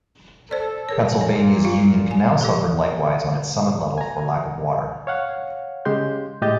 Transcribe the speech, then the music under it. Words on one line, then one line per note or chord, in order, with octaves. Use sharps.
Pennsylvania's Union Canal suffered likewise on its summit level for lack of water.
A4 C5 D5
G#4 A#4 C#5
A#2 C#5
F4 F5
G#5
F3 G4 A4
G#5 A#5
C#5 F5 F#5
C#3 G#3 G4 C6 G6
A2 G#3 G4 D#5 G6 A6